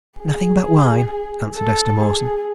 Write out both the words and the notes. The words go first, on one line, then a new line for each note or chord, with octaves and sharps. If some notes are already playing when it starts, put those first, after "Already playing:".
"Nothing but wine," answered Esther Mawson.
G#4
A4
G#4